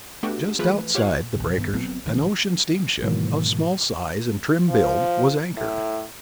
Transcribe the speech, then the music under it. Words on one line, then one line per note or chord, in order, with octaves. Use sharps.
Just outside the breakers, an ocean steamship, of small size and trim build, was anchored.
A3 B3 D4 F#4 G4
E3 F3 A3 G#4 B4
F4 G4 C#5 F5 F#5
A#1 C3
G2 D#3 B3
G1 F#3 B3 C4
A#1 A2 D#3 E3
G#2 B2 D#3 E3 F#3 A#3
F3
A2